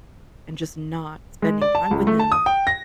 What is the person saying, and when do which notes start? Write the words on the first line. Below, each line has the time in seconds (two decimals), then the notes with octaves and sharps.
and just not spending time with him,
1.42 G#3
1.62 D5
1.75 A5
1.91 C#2
2.07 A3
2.19 A5
2.32 D#6
2.46 G5
2.67 A#6